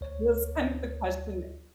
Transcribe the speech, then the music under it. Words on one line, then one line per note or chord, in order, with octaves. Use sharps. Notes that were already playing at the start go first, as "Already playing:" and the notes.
That's kind of the question
D2 C#5